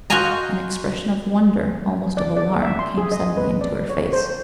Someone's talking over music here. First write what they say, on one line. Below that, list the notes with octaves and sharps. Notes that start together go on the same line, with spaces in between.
An expression of wonder, almost of alarm, came suddenly into her face.
F#4 C5 D#5 F5 G#5 A#5
D5
D5
E5
C6
G#4
D#5
B4
D5
C#5
C5